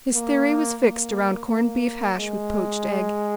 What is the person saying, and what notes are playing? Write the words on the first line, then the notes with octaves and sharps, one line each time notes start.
His theory was fixed around corned-beef hash with poached egg.
A#3
A#3
A#3
G#3